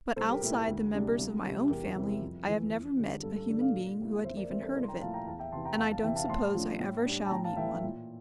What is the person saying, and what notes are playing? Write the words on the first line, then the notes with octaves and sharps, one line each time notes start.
But outside the members of my own family I have never met a human being who had even heard of it, and I don't suppose I ever shall meet one.
C2 A4 C5
G4 A#4
A#2 A3 E4 G4
D2
C3 G3 D4
C2
C3 G3
E2 G4 A#4
C3 G3 C4 E4
F2
E3 A3 E4
F2
D3 G3
G2 A4
A4
D3 A3 D4 A4
D5 F5
A#2
G3 A#3 E4
E2 C5 E5
A#4 D5
E3 G3 C4 C5 E5
A4 C5
C2 A#4 D5
C6
G5 A#5
A#2 F3 A3 E4 F5 A5
G5 A#5
E2 F5 A5
E5 G5
C3 E3 A5 C6
G5 A#5
E2 F5 A5
F5 A5
C3 E3 E5 G5
F5 A5
A2 A5 C6
F3 A3 D4
A2
G3 D4
A5
A2 G5 A#5
F5 A5
E3 A3 E4 E5 G5
A#2